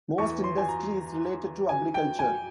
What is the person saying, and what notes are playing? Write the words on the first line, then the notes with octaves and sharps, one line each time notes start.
Most industry is related to agriculture.
E2 E3 C#6
C6
G#5
A#5
G#5
G5
G#5